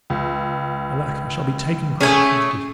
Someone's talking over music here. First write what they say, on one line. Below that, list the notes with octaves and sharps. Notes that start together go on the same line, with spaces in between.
"Alack, I shall be taken!" cried the fugitive.
C#2
A3 C#4 G#4 G#5